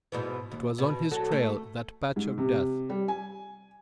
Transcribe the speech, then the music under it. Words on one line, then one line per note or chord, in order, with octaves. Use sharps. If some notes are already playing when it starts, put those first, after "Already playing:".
It was on his trail, that patch of death.
G#2 B2 E3
D#2
B2
F#3 F#4 A4
A3
G#2
C3
G3
G#5